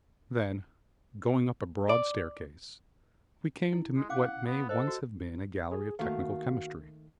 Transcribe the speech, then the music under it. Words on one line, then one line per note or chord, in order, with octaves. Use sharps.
'Then, going up a broad staircase, we came to what may once have been a gallery of technical chemistry.
D5
E4
G#3
C#4 F5 F#5 D6
B3
A4 C5 D#5
F#4
G#4
D#3 A3 A#3 F#4 F5